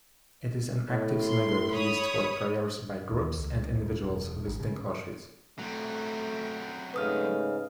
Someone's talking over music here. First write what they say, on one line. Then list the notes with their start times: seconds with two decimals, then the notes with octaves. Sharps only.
It is an active synagogue used for prayers by groups and individuals visiting Auschwitz.
0.89 A2
1.24 C6
1.73 C#5 B5 D#6
3.12 D#2
3.38 C#2
3.74 D#1
4.03 E1
4.47 G#1
4.60 C#3
5.59 F#3 A3 C4
6.94 G#2 C#3 A3 B4 D#6 F6